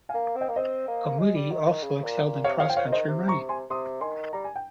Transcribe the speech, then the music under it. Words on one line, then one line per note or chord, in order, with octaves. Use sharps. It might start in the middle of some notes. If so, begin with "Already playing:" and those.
Gammoudi also excelled in cross country running.
F5 G#5
A#3
C4
D#5 G5
A#3
C4 C5 D#5
A#3
G#3
G3
D#3
D#3
C#3
A#2
A#2
C3 C#5 F5
C#5 F5
F3 G5
C#5 F5
D#3
C5 D#5
C3
A#5 C#6
G#5 C6
C3 C6 D#6
D#3 G#5 C6
G3 A#5
G#5
G5